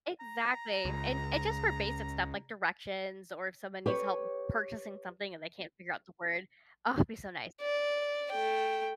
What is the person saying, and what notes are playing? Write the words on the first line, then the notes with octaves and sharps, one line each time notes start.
Exactly. And and just for basic stuff, like directions or if someone needs help purchasing something and they can't figure out the word oh, it'd be so nice.
A#5
C#2
G4 B4 C#5
D5
A3 G5